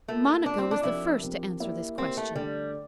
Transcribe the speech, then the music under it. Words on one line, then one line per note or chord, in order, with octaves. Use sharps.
Monica was the first to answer this question.
A3 A#3 F4 A#4
A#3 D4 F4 A#4
C4
D4
F3 C4 E4 G4 A#4
F3 C4 G4 A#4
A#3 E4 G4 A#4 D5
A#3 C4 E4 G4 A#4 D5
A3
D3 G3 A3 D4 G4 D5